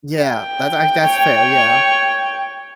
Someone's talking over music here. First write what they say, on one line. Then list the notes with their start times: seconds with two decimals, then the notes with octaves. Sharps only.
Yeah, that's i that's fair, yeah.
0.23 G5
1.06 C#5